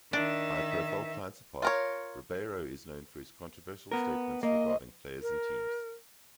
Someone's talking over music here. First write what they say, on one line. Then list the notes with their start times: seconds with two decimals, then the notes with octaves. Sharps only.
High-profile clients apart, Ribeiro is known for his controversial statements regarding players and teams.
0.13 D#3 D4 E5
1.62 F4 A#4 C#5
3.92 B3 A#4
4.43 A#3 D#5
5.22 A#4